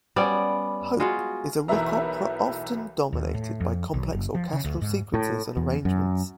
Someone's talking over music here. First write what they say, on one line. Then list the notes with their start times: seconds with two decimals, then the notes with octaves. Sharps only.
"Hope" is a rock opera often dominated by complex orchestral sequences and arrangements.
0.16 G3 B3 C#4 D5
1.00 G#3 F4 F#4
1.68 B1 E3 A#4 B4 E5 A#5
3.13 D#2
3.34 A2
3.60 F2
3.94 B1
4.13 F#1
4.35 F3
4.53 C#3
4.64 D2
4.82 G#2
5.14 A2
5.57 E2
5.85 F#2